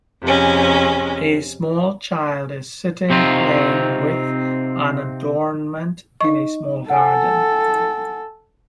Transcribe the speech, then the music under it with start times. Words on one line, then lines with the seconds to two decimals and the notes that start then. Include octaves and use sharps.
A small child is sitting playing with an adornment in a small garden.
0.22 F2 C3 G#3 C#4
3.10 C3 C4 D#4 F4
6.21 D#4 D#5 C#6
6.90 A4 F#5 G#5